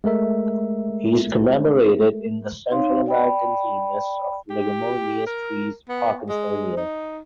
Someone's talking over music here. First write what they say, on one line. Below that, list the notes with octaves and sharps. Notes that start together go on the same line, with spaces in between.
He is commemorated in the Central American genus of leguminous trees "Parkinsonia".
G#3 A3 A#4 E5
D#4 C#5 F5 C6
D5 G5 B5
G4
A#4
B3
G#3
D#4